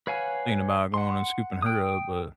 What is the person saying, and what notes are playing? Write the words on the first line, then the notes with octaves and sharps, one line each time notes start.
thinking about going and scooping her up, but,
B4 C#5 F5 F#5 G#5
F#5 C6
G5 D#6